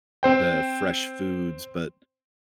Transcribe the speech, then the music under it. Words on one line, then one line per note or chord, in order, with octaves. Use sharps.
the fresh foods, but
C4 C5 G5